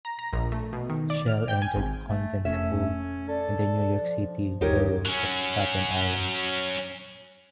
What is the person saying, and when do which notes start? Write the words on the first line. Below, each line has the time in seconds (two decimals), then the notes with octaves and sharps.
Schell entered a convent school in the New York City borough of Staten Island.
0.05 A#5
0.19 A#5
0.33 A#1
0.52 A3
0.73 B2
0.90 D#3
1.10 D5
1.26 F6
1.48 G5
1.62 G#5
1.76 G#1
2.08 A3
2.45 F1 A3 C#4 E5
3.28 A4 D5
4.01 F3
4.61 G1 D#2 G3 D#4 G4 A#4 C#5
5.06 F#3 C#4